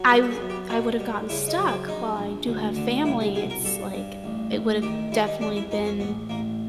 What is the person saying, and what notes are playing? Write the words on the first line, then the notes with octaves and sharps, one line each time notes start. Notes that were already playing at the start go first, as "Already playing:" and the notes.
I w I would have gotten stuck while I do have family, it's, like it would have definitely been
Already playing: F#3
G3 A4
A4
G#4
F#2
G4
B2 F#4
G3
C#3 E4
D#4
F#2
C4
A#1 D#4
A#1
D2
D3
C2 E4
G#4
B2 G#4
A#4
G2 A4
G2
A1
A1
D#3 G4
G3 E4
D#4
F2 D4
E4
F2 D#4
C#4
A1 B3
A1 A#3